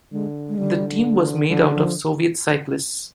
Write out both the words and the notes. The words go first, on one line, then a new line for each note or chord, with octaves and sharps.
The team was made out of Soviet cyclists.
D3 G#3
G#3
D3 G3
D3 G3
F3
F3